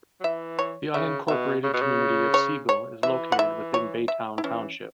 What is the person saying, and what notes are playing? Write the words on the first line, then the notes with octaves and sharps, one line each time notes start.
The unincorporated community of Siegel is located within Baytown Township.
F#3
E3 E5
C#5
C#3 E5
B2 E5
C#3
B2
C#3
C#5
C#5
E3 E5
F#5
E5
C#5
E5
E4
E3 C#4